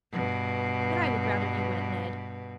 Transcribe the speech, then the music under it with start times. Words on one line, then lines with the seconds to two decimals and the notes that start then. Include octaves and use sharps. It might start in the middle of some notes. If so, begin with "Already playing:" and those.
But I would rather you went, Ned.
0.12 G2 B2